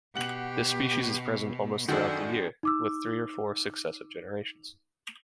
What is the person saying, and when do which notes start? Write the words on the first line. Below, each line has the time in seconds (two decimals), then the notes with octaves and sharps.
This species is present almost throughout the year, with three or four successive generations.
0.15 B2 G4 F#5 F#7
1.88 F#2 D#3 D4 F#4 G#4 A4 D5 F#5
2.63 D#4 D6 E6